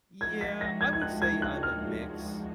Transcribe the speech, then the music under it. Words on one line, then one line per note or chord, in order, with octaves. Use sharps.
Yeah, I would say I'm a mix.
F3 G#3 D#4 F#4 G#6
B6
A#6
G#6
G#6
F#6
G#6
F#6
F6